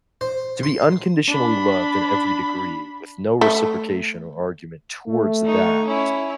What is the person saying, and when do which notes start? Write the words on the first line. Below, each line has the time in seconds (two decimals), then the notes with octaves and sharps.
To be unconditionally loved in every degree with no reciprocation or argument towards that
0.21 C5
0.63 C6
1.28 D4 B5
3.41 A3
5.08 A3
5.44 D#4 C#6
5.86 C#4 E4